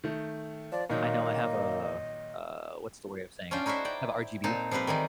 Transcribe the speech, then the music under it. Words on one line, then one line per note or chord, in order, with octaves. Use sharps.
I know I have a, uh uh, what's the way of saying it? I have RGB,
D#3 A3
F3 D5
A#2 D#3 F#3 A#3 D#5
C#4 D4 F4 G5
D#4 E4 F#4 C5 E5
D5 G5
A#2 C4 D#4 A5
F3 G3 C4 B4 C5
D#3 E3 G3 D#4